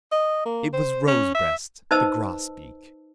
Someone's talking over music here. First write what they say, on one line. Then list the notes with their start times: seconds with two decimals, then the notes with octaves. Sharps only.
It was Rosebreast the Grosbeak.
0.12 D#5
0.46 A#3
0.73 C5
1.07 C#4
1.35 E5
1.91 D#4 B4 C5 D#5 A5 E6